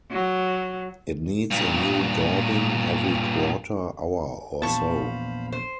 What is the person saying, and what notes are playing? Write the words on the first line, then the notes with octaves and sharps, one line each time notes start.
It needs a new daubing every quarter hour or so.
F#3
G2 A#2
A#1 E2 C5 F5 A5 B5 C#6
C5